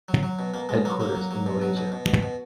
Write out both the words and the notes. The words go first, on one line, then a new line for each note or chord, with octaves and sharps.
Headquarters in Malaysia.
F#3
F#3
B2
B2 A#3
B2 G#3
F#3 A#3
F#3 A#3
F#3
F#3
B2
F#3
B2
B2
B2
B2